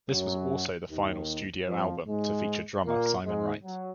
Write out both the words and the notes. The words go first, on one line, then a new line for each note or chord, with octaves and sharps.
This was also the final studio album to feature drummer Simon Wright.
F#2 F#3
D#2 D#3
F2 F3
G#2 G#3
A#2 A#3
G#2 G#3
F#3